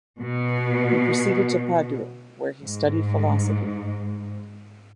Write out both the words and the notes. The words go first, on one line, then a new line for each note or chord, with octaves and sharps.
He proceeded to Padua, where he studied philosophy.
B2
G#2